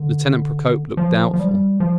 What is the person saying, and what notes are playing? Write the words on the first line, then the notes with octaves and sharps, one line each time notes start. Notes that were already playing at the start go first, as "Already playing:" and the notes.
Lieutenant Procope looked doubtful.
Already playing: D3
F3
F3
G3
F3